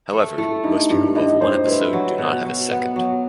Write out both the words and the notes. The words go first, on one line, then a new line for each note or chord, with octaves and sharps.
However, most people who have one episode do not have a second.
A3
A3 E4
G2 D#4
G2 E4
G2 D#5
G2 C5
E4 B4
F#3
B2
F#3
B3
F#3